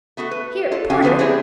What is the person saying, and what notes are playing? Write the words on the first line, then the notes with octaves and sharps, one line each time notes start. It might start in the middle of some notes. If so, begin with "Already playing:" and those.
Here, porter!
A3 B3 F#4 A4
B4
F4 A4
F#2 C#3 C#4 F5 G#5
D3 F3 F#3 B3 C4
G#3 C4 D4 E4 G4 G#4